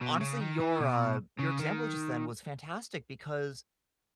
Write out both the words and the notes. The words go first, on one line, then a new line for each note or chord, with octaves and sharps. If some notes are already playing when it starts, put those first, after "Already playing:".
honestly, your, uh your example just then was fantastic because
B2
C#3
D#3
E3
B2
C#3
D#3